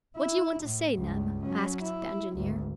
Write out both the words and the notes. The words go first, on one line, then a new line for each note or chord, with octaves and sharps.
"What do you want to say, Neb?" asked the engineer.
E4
A2
C#2 G2
F#3 C#4
E4
G#1 D2